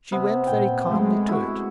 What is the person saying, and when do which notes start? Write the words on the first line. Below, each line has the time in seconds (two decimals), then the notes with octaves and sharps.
She went very calmly to it.
0.12 C3 B3
0.47 A#2 G5
0.87 G#3 A3
1.29 E4 F#4